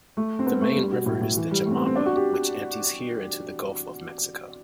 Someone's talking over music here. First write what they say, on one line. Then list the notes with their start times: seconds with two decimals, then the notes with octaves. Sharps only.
The main river is the Jamapa, which empties here into the Gulf of Mexico.
0.17 A3
0.39 C4
0.46 B3
0.61 A3
0.76 G3
0.92 B2
1.06 A2
1.14 B2
1.21 A2
1.37 E3
1.51 G3
1.66 A3
1.71 C4
1.76 B3
1.86 C4
1.96 D4
2.06 F#4
2.16 G4